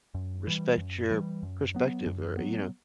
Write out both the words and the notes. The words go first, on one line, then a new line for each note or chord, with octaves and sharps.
respect your perspective or, you know,
F#2
E3 G3
F#2
E3 G3
F#2
F#3 B3
F#2
F#3 B3